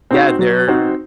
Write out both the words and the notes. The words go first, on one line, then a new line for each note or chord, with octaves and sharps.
Yeah. There
C4 D#4 F#4 C5
F#3
C4 D#4 F#4 C5